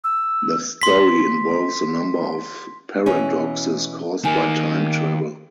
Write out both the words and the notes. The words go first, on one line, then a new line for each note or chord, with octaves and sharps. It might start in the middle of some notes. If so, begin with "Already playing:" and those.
The story involves a number of paradoxes caused by time travel.
E6
C6 B6
B2 E3 C#4
D#3 A#3 G#5